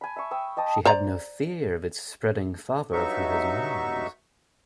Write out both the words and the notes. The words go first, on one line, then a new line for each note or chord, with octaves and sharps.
She had no fear of its spreading farther through his means.
G#5 B5
E5 C#6
G5 C#6 D#6 E6
D#5 G5 A5 D#6
C5 D5 A#5
G2 F#3 D#4 F#4 E5 C#6